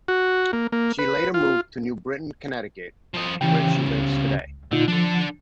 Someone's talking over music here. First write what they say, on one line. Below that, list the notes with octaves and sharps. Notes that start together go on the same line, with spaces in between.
She later moved to New Britain, Connecticut, where she lives today.
F#4
A#3
A#3
B4
F4
F3 D#5
C#3 E3 G3 G5
C#2
A#2 D3 D#4 F4
F3 D4 A4